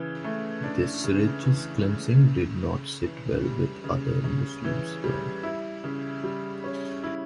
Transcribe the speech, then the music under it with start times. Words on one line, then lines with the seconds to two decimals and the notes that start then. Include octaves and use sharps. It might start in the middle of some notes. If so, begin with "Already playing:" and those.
This religious cleansing did not sit well with other Muslims though.
Already playing: C#3 E3
0.24 A3
0.64 D4
1.04 C#3
1.43 E3
1.84 A3
2.24 C#3
2.64 C#3
3.04 E3
3.44 G3
3.84 C#3
4.24 C#3
4.64 E3
5.04 G3
5.43 E4
5.84 C#3
6.24 G3
6.64 C#4
7.03 E4